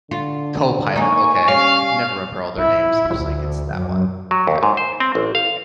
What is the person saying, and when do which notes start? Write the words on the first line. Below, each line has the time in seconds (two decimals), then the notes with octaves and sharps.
Copilot, okay. I can never remember all their names, I'm just like, "It's that one." 'Kay.
0.11 D3 F4
0.96 A#3 D#4 G#5 C#6
1.48 G3 C#4 F5
2.59 E4
3.15 D2
3.74 F#2
4.31 F#3
4.47 D#2
4.63 G#2
4.77 C5
5.00 C4
5.15 A1
5.35 F5